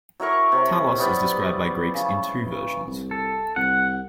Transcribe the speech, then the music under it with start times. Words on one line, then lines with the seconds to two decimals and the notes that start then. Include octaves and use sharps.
Talos is described by Greeks in two versions.
0.20 F#3 E4 A#4 C#6
0.52 C3 C#5
0.98 G3 B3 B4 D5
1.94 C#3
2.87 C2
3.11 A4
3.56 C2 F#5